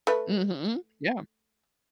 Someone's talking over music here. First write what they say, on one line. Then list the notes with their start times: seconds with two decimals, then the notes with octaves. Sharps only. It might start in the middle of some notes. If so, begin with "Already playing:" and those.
Mhm, yeah.
0.07 A3 B4